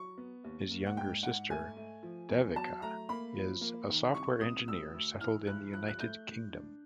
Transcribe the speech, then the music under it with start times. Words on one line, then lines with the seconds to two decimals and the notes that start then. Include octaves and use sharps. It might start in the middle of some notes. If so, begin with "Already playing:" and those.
His younger sister, Devika, is a software engineer settled in the United Kingdom.
Already playing: F#3 C#6
0.18 B3
0.44 D#2
0.71 A#3
0.86 F#5
0.97 G#2 G5
1.23 G#2 F#5
1.50 A3 G#5
1.77 A3
2.03 F3
2.30 E2
2.56 F#3 A5
2.82 A3 A#5
3.09 A#3 B5
3.35 F3
3.61 A#3
3.89 D#3
4.14 C2 C#6
4.41 C2 D#6
4.68 D2 E6
4.94 D2
5.21 E3 F6
5.47 G2 F#6
5.73 F3 F#6
5.88 F#6
6.00 A3 G6
6.27 A2
6.53 D4